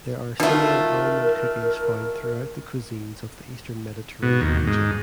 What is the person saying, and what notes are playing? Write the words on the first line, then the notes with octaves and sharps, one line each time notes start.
There are similar almond cookies found throughout the cuisines of the eastern Mediterranean region.
B2 D#3 A3 F4 A#4 E5
B2
D#2
G#2